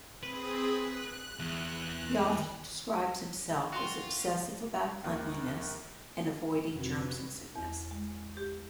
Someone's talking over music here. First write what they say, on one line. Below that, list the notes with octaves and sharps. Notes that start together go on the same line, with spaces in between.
He often describes himself as obsessive about cleanliness, and avoiding germs and sickness.
C4 G#4 B4 D#6
F#6
E2
F4 F#4 G5 C6
A#1 D#2
F2 C3 F#4 B4 G#6
E2
G#3
G4